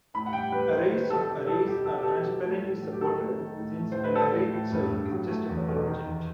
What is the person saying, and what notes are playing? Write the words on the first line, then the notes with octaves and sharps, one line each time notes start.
Arrays of arrays are transparently supported since an array itself is just another object.
A2 B5
F#5
G3 G5
G3 B4
D#3 C5
D#3 B4
C3 A4
A4
B2 G4
G3 A4
B2 G4
B2 A4
G4
B2 A4
F#3
A3
A2
F#3
G4
D#3 A4
A3
D#3
A2
A3
A2 C5
B4
G3 A4
A2
A2
G2
G2
F#3
A3
E2
B2
D#3
E2